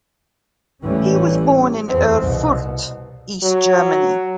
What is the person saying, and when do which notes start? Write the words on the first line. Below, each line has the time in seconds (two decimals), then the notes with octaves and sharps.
He was born in Erfurt, East Germany.
0.84 A1 E3 G3 A3 C#4
1.89 E2 C4
2.20 C2 B2
3.43 F#3